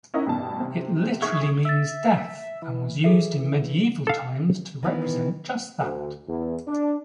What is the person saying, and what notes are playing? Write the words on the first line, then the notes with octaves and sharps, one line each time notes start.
It literally means "death" and was used in medieval times to represent just that.
C#4 D#4 E4 A#4 D#5 F#5
A1 G2 B2 A5
C3
G#4 E5 C#6 G#6
E5 E6 A6
E3
G#4 A4 E5
A4 F5
D#3 E3 B3
D2
E2
D4